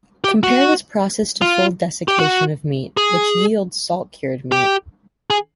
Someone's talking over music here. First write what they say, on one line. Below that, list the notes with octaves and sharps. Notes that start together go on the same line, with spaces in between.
Compare this process to full desiccation of meat, which yields salt-cured meat.
G4
F#4
F4
G4
F#4
G#4
G4
G#4